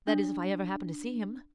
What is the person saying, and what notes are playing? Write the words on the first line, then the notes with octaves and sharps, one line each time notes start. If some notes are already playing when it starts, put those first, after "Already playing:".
That is, if I ever happen to see him.
D4